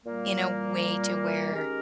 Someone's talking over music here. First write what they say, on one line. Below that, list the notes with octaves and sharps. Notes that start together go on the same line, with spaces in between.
in a way to where
A#2 G3 A#3
D#3 G#3 C#4 G4 A#4